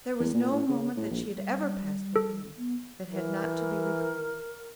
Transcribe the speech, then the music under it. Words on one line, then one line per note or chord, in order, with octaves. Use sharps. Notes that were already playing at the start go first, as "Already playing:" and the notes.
There was no moment that she had ever passed with him that had not to be recalled.
E2
A#2
A2
C#3
A2
A#1
G3
A4
B3
E3 A#4